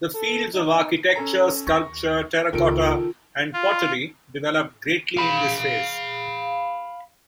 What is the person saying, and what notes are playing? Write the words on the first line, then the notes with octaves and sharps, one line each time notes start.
The fields of architecture, sculpture, terra cotta, and pottery developed greatly in this phase.
A4
D#4
C#4 A4 A#5
D#2 C#6 A#6
C#2 D#3 B3 F4 A4 D7
F4
F5 B5